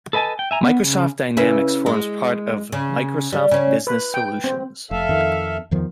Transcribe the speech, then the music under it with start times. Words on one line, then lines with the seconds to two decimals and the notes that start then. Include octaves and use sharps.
Microsoft Dynamics forms part of "Microsoft Business Solutions".
0.13 A4 B4 D#5 G#5 A5
0.39 G5
0.51 E5 G#5 A#5
0.63 B3
0.83 C#3
1.37 C#3 E4 B4
1.86 G#3
2.72 C#3
3.32 G3
3.51 C#3 C#4
3.87 B4
4.14 G5
4.44 C4
4.91 F1 A4 E5 F5
5.09 F2 D#3
5.71 E2 D#3 F3